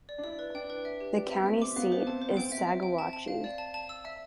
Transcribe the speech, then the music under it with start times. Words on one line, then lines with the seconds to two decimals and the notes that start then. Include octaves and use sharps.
The county seat is Saguache.
0.09 D5
0.18 D4
0.24 E4 D5
0.39 B4
0.54 D4 G5
0.70 B4
0.85 E5
1.01 G4
1.15 D4 G5
1.27 C4 E5
1.38 B3
1.46 C4 E5
1.62 D6
1.76 B3 F5
1.92 C5
2.07 C4 A5
2.22 C5
2.30 B3
2.37 C4 G5
2.52 E5
2.67 E5
2.83 G5
2.98 A5
3.13 A5
3.28 F5
3.44 D5
3.58 A5
3.74 A5
3.89 E6
4.05 E5